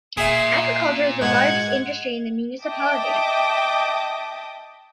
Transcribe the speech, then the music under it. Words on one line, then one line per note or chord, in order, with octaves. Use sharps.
Agriculture is the largest industry in the municipality.
A#2 G#4 E5 C7
G#2 F#5 G#6
D#5 E5 G5 A5 D6 D#6